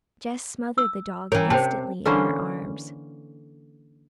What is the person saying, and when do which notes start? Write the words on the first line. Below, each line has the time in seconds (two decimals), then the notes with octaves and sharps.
Jess smothered the dog instantly in her arms.
0.78 E6
1.32 E3 C#4 A#4 C#5
1.50 C3 C5 G5 A5
2.05 D3 E3 A#3 C#4 C5